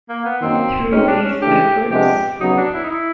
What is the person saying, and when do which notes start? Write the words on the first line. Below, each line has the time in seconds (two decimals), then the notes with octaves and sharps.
Through these efforts.
0.09 A#3
0.25 B3
0.41 F#2 D#3 F#3 A#3 C4 D#4
0.91 B2 G#3 C4 C#4 D#4
1.08 D4
1.24 C#4
1.41 C#3 E3 A3 D4 G4
1.90 C3 F3 G#3 B3 D4 G4
2.40 C#3 F#3 B3 D#4
2.57 D4
2.74 E4
2.84 D#4
2.90 E4